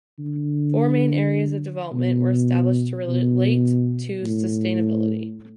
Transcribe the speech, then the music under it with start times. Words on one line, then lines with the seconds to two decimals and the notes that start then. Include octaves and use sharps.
Four main areas of development were established to relate to sustainability.
0.19 D3
1.93 B2
3.08 B2
4.24 A2